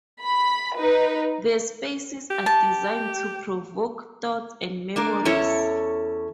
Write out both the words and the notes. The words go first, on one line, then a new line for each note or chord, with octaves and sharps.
The spaces are designed to provoke thoughts and memories.
B5
D#4 B4
G4
A5
A#3 D4 A#4
E2 C#4 E4 A4 C#5